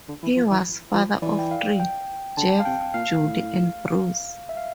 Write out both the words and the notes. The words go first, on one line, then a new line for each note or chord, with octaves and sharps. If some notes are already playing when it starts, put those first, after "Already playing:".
He was father of three: Jeff, Judy, and Bruce.
D3
E3
F3
E3
F3
E3 D5
G5
F5
G5
D3 A5
F5
C3 G5
A#2 F5
A2
E5
F5